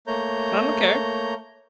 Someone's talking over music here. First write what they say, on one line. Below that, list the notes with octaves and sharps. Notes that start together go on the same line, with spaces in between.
I don't care.
A3 A#3 C#5 A#5 G6